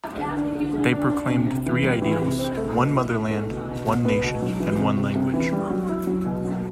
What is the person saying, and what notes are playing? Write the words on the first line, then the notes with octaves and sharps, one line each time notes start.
They proclaimed three ideals, one motherland, one nation and one language.
D3
D4
D3
D3
D4
D4
C3
C3
E3
G3
E3
C3
C4
A3
B2
E4
E4
A3
B2
B2
B2
B3
B2
F#3
E3
C3
C3
C3
E3
G3
F#3
E4
F#3
B2
F#3